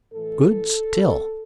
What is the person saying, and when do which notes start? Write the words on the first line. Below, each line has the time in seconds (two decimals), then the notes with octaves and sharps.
Good, still.
0.12 A2 E3 A4